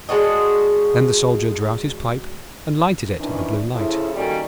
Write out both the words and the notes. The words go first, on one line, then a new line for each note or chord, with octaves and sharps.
Then the Soldier drew out his pipe, and lighted it at the Blue Light.
G#3 D4 F#4 D#5
C3 D#3 E3 C#4 D4
C#3 F3 A3 E4
D#3 G3 A#3 C#4 F#4 A4